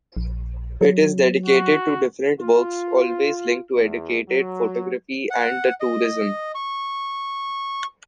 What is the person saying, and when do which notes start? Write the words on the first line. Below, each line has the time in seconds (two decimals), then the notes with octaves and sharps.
It is dedicated to different works, always linked to educated, photography and the tourism.
0.17 A#1
0.81 F#3
1.46 F#4
2.40 F4
3.76 E2
4.28 F#3
5.30 F#5
5.80 D#5
6.55 C#6